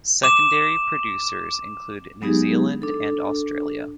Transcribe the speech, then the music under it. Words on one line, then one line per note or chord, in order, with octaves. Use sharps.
Secondary producers include New Zealand and Australia.
D6 E7
F#3 G#3 B3 D#4 G4 G#4
D4 A4